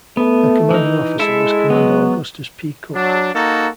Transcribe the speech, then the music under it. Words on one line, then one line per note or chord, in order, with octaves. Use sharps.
Her commanding officer was Commander Augustus P. Cooke.
A3 B3
E3 D#4
G#3 E4 A4 E5
F#3 B3
F#3 D4
A#3 D#4 F#4 A4